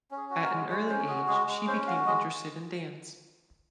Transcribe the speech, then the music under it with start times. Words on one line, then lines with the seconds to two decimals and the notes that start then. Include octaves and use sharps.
At an early age she became interested in dance.
0.11 C#4
0.17 G#4
0.30 F#4
0.44 A#4
0.50 G#3
0.69 G#3 C#5
0.89 C#4 C5
1.08 F#4 G#4
1.27 G#3 G#4
1.48 G#3
1.67 C#4 C5
1.86 F#4 F5
2.07 G#3 D#5